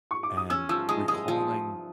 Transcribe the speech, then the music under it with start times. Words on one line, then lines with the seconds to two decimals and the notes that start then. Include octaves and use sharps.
and recalling
0.11 C#6
0.23 D6
0.37 D#6
0.50 C#4 E6
0.69 F3 E6
0.89 G#3 D#6
1.08 G#3 D#6
1.28 F3